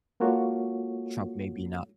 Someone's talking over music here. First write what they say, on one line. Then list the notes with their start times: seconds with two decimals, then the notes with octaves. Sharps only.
Trump may be not
0.20 G#3 A#3 F4 F#4 A4 C#5